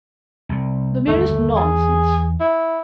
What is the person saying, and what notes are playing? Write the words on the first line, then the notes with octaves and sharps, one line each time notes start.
'The merest nonsense.'
C2 C3
G1 D#2 D3 A3
E2 G#4
E4